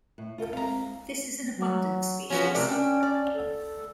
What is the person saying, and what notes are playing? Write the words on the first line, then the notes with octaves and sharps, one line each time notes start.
This is an abundant species.
A2
F4 A4 A#4
G#3 C4 F5 A#5
F#3
F3 C#4 F#4 B4
C3 A3 A#4 D5
C#4 D4 G5
D5
A4